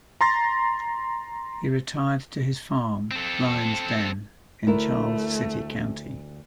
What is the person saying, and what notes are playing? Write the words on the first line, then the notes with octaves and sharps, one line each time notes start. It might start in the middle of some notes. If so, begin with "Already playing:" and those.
He retired to his farm, Lion's Den, in Charles City County.
A#5 C6 A6 A#6
C4 A4
D2 A3 E4 A#4